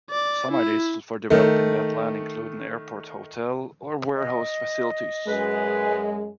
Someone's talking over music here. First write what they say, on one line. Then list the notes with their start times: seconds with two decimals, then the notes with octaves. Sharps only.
Some ideas for developing that land include an airport hotel or warehouse facilities.
0.11 D5
0.52 E4
1.30 D#3 A3
4.17 D#5
5.28 F#2 G#3 G#4 B4